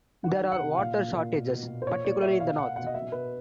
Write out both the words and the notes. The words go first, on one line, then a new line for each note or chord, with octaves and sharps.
There are water shortages, particularly in the north.
D#3 F#5
D#3
F#5
C3
A#2 F5
A#2
A#2
B2
B2
B2
C5
A#2 C#5
A#2 D5
A#2 E5
B2 F5
B2 F#5
B2 F#5
D#5
B2 E5
B2 B4